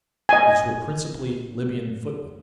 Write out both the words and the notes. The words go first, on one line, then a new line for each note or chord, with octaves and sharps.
These were principally Libyan footmen.
D#5 G#5